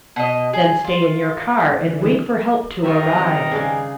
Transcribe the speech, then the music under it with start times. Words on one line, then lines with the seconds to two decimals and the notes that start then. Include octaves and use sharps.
Then stay in your car and wait for help to arrive.
0.16 B2 D#5
0.53 G#4
0.84 F4
1.75 D3 E3
2.83 G2 D#3 F4 C#5 E5 A#5
3.15 C4
3.51 C#3 D4 G#4